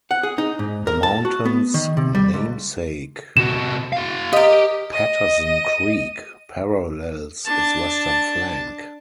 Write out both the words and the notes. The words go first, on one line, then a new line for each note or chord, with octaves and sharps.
The mountain's namesake, Patterson Creek, parallels its western flank.
F#5
G#4
D#4
G#2
A#4
A5
F#4
B3
D#3
C3
G3
C#2
C3 F#4 E7
F#4 F5
G4 A#4 D#5
D#5 D#7
D4 A5